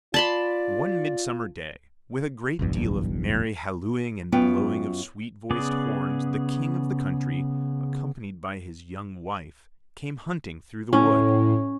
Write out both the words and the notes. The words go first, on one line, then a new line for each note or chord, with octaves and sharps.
One midsummer day, with a great deal of merry hallooing and blowing of sweet-voiced horns, the King of the country, accompanied by his young wife, came hunting through the wood.
F4 D5 A5 B5 C6
F#1 B1 E2 G2
F#2 B3 F4 G5
C#3 B3 G#4 D5
A2 C#4